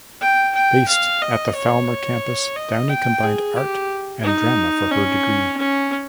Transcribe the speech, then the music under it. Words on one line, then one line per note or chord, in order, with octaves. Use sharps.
Based at the Falmer campus Downey combined Art and Drama for her degree.
G5
G5
F5
D#5
C#5
D#5
G5
G#4
G4
D#4
C#4
C#4